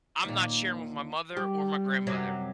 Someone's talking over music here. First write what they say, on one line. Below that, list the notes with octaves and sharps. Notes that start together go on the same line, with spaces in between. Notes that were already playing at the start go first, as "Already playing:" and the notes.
I'm not sharing with my mother or my grandmother.
D#2 A#2
G3 G4
F#2 C3 F#3